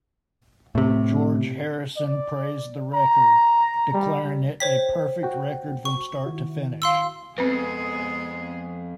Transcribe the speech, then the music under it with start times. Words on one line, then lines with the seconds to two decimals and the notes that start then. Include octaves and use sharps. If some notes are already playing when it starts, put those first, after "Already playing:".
George Harrison praised the record, declaring it a perfect record from start to finish.
0.75 A2 C3
1.97 D5
2.94 A#5
3.94 G3
4.60 C5 C#5 G5 B6
5.23 F#4 G5
5.85 C#6
6.26 D#3 E4 F#4
6.82 F5 C6 E6
7.38 F2 G#3 B3 C4 G#4 B4